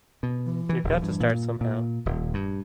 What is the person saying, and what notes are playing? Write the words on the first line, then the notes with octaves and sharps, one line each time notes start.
You've got to start somehow.
B2
E3
D#1
G2
A#2
A#2
D#1
G2